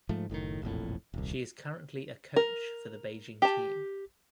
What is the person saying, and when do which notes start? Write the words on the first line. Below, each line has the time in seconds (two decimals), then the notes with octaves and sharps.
She is currently a coach for the Beijing team.
0.09 G#2 F3 A3
0.30 F#1 A2 D3 D#3
0.62 E1 A#1 F2 A2
1.14 D#1 C2
2.36 A#4
3.42 G4 A5